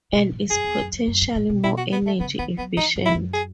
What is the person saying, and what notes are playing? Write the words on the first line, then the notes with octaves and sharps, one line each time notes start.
And is potentially more energy efficient.
B2
G#2
F#2 G#4
E2
F#2
F#2
F#2
G#2
A2
B2
B2 E4
F#4
B3
D#3 A3
C#3 B3
D#3 B3
F#3 B3
E3 D#4
G#2
E4
F#2
G#4